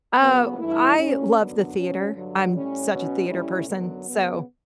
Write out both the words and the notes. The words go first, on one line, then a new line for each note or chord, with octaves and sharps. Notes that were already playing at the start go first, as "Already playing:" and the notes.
Uh, w I love the theater, I'm such a theater person, so
C#3 F#3 B3
G2 E3 A3 E4
A2 G3 C#4
F#2 D3 F#3 B3 D4
B2 F#3 C#4
G2 D3 F#3
A2 G3 C#4
B2 F#3 C#4
A2 G3 C#4 E4
F#2 D3 F#3 B3
C#3 F#3 B3